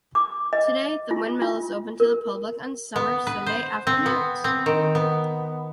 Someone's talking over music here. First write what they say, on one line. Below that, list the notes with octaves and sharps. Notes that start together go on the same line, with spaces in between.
Today the windmill is open to the public on Summer Sunday afternoons.
D6
D#5
F4
F4
A#4
B3
B4
C5
C4
B3
C4
D#3
B3